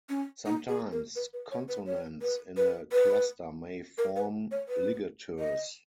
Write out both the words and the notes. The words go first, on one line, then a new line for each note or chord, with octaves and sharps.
Sometimes, consonants in a cluster may form ligatures.
C#4
D#4
G#4
A#4
B4
B4
C#5
B4
C#5
B4
B4
B4
A#4
B4
C#5
B4
D#5